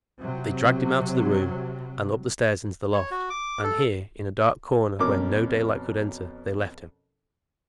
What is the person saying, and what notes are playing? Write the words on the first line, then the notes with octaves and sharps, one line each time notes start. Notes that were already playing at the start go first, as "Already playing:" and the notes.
But they dragged him out of the room, and up the stairs into the loft: and here, in a dark corner, where no daylight could enter, they left him.
C3 F#3
C#5
F#4
D6
A4
F2 B2 C#4 A#4 D6